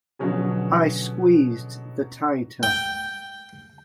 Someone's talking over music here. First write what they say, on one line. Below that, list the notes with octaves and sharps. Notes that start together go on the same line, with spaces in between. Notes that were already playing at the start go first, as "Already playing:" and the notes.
I squeezed the tighter.
B2 D3 F3 F#3 C#4 G#4
G5